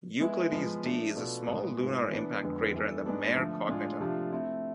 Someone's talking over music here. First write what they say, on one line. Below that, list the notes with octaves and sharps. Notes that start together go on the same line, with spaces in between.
Euclides D is a small lunar impact crater in the Mare Cognitum.
G#3 B3 E4
F3 G#3 B3 F4 B4
F3 A3 D4
B2 B3 F4 A4 D5
A2 G#3 B3
G#2 G#3 B3 F4
E3 B3 D4
F2 D3 G#3 B3
E3 B3 D4 A4
G#2 G#3 B3 D4
D3 F3 A3
A2 G#3 D4 F4
C3 F3 A3 D4 F4
A3 C4 E4